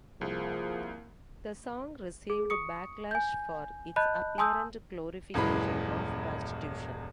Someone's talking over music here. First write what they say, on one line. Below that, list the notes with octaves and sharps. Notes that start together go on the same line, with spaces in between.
The song received backlash for its apparent glorification of prostitution.
C2 F3 A#3 G#4
G#4
C#6 D#6 C#7
G#5 G6
D#5 A5 B5 F#6 G6
G#5 A5 C6 D#6 E6 G6
D#1 F#2 E3 G#3 B5